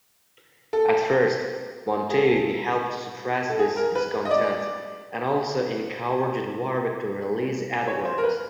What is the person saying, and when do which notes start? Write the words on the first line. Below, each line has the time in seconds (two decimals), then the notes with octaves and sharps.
At first, Montagu helped suppress this discontent, and also encouraged Warwick to release Edward.
0.73 A4
2.10 G#4
2.17 A4
3.50 A4
3.59 G#4
3.76 A#4
3.95 B4
4.25 D#5
4.31 D5
7.88 C#5
8.05 C5
8.18 A#4
8.23 B4